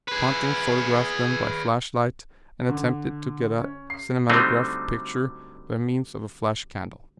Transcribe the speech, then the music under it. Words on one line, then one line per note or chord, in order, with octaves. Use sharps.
Ponting photographed them by flashlight and attempted to get a cinematograph picture by means of a flash candle.
G#4 B4
D3
C#4
C7
D3 F#3 G3 A3 C4 D#4